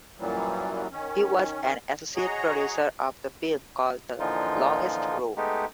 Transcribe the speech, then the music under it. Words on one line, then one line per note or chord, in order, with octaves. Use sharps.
He was an associate producer of the film called "The Longest Row".
F#2 A#2 E3 F#3 G3
D#3 C#4
F#4 G#4 C#5 D#5 A#5
A#2 D3 E3 F3 D#4 F4
G#3 A3 B3 D#4 G4